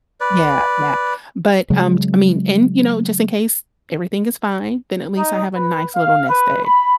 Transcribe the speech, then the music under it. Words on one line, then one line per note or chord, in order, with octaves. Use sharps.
Yeah, yeah. But, um, t I mean, and, you know, just in case everything is fine, then at least I have a nice little nest egg.
B4 D5
C#3 F#3 G#3
D#4
B4
F5
B4
B5